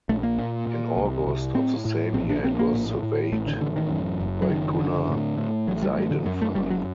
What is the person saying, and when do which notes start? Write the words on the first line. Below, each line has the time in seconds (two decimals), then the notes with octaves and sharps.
In August of the same year it was surveyed by Gunnar Seidenfaden.
0.09 A#1 A3
0.23 A#3
0.39 A#2
0.67 A#2
0.97 C2
1.26 C2
1.55 A2 C4
1.85 A2
2.14 A#1 C4
2.29 D4
2.44 A#1 C4
2.59 A#3
2.73 A2
3.03 A2
3.32 A1 A3
3.47 D3
3.61 A1 D3
3.76 D#3
3.90 F#2
4.21 F#1
4.42 F#3
4.50 F#1 D#3
4.79 D3
5.09 A2
5.38 A2
5.67 A1 F#3
5.83 G3
5.97 A1 G3
6.11 D3
6.26 F#2 F#3
6.42 A3
6.55 F#1 G3
6.70 F#3